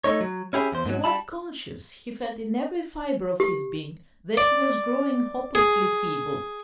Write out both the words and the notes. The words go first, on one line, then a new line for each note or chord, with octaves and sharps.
He was conscious, he felt in every fibre of his being that he was growing hopelessly feeble.
A3 D#4 C#5
F#3
C#4 E4 G4 G#4
E2 C5
G#2 F#3
G3 A5 B5
G4
D5
G#4